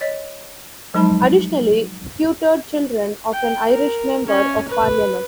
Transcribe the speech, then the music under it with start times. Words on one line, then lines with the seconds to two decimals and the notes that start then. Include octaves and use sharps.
Additionally tutored children of an Irish member of parliament.
0.01 C#5 D#5
0.94 F3 F#3 G#3 D#4 A5 B5
3.33 G5
3.72 A#4
4.27 C#4
4.68 B4